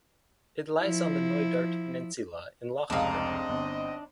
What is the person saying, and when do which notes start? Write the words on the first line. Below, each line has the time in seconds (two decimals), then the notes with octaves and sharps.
It lies on the Knoydart peninsula in Lochaber.
0.82 F3 E4
2.90 F1 C#2 C4 D4 D#4 D#5 F5
3.49 G1